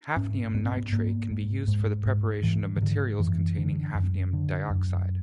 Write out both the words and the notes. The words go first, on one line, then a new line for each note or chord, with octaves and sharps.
Hafnium nitrate can be used for the preparation of materials containing hafnium dioxide.
G#2 C#4
G#2 B3
C4
B3
G#2 A#3
G#2
G#2
G#2
G#2 E3
D#3
G#2 D3
F#2 E3
D3
F#2
D3
F#2